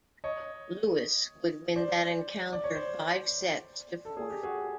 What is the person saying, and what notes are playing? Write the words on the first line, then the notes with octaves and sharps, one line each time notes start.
Lewis would win that encounter five sets to four.
C#5 D#5
C5 D5
D5
C#5
C5 D5
A4
G#4
G4
F#4 G#4